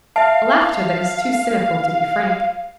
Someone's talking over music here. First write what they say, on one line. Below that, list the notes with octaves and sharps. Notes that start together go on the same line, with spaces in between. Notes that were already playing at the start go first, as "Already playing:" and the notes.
A laughter that is too cynical to be frank.
E5 F5 A5